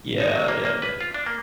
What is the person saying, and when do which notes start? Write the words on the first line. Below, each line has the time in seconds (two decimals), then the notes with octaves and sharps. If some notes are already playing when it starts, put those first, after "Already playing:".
Yeah, yeah, yeah.
0.20 D#4
0.35 F#3
0.48 A#3
0.65 A#3
0.82 B4
1.01 F4
1.14 D4
1.26 A#3